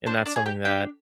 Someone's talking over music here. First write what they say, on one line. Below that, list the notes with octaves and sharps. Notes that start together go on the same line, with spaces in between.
And that's something that
D4 C5
D4 D5
G#4
G4 G5
D4 G4 G5